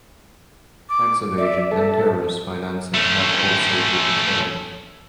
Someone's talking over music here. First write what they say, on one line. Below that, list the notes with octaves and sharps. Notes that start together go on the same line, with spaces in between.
Tax evasion and terrorist financing have also been claimed.
D6
D5 E5
A4
A3 C#4